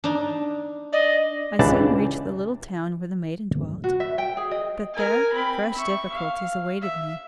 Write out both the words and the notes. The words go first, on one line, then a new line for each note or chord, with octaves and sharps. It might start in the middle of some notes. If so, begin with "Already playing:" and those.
I soon reached the little town where the maiden dwelt; but there fresh difficulties awaited me.
D4 D#4
D5 D#5
C#2 E3 D4 G4 D5 A5
F#4
E5
G5
G#4
D#5
A#4 G#5
C4 B5
E5 C#6
F5
E5